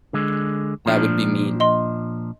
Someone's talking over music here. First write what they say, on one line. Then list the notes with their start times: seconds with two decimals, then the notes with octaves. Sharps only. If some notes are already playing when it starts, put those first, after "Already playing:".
That would be mean.
0.13 D3 G#3
0.86 A#2 F3 D4
1.60 D#5 C6